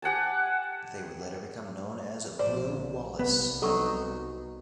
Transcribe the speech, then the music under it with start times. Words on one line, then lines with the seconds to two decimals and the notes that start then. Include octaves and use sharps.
They would later become known as 'blue Wallis'.
0.02 G4 F#5 G#5 A5
2.39 A#1 C5 D5
3.19 C2 B3
3.62 F#3 D#4 A4 C#6